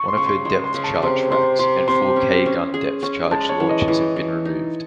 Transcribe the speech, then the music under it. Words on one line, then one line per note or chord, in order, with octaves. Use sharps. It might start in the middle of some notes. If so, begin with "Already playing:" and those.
One of her depth-charge racks, and four "K-gun" depth charge launchers have been removed.
Already playing: C#6
C6
C#3 C#6
C6
G#3 C6
C6
C#3
A5
C3 C6
C3 C6
C3 C6
C3 C6
C#4
C#4
G#4
C#4
G#3 A5
C#5
E3
D#5
E3
E3
D#4